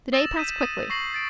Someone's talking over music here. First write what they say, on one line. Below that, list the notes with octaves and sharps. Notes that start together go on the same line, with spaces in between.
The day passed quickly.
D#6 E6 A6 A#6 E7 F#7
G6 B6 D#7 E7
D#6 D#7 E7
C#6 A#6 C7 F#7
A6 D7